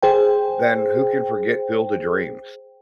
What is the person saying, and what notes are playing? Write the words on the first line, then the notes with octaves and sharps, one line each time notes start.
then who can forget Field of Dreams?
G#4 C5 G5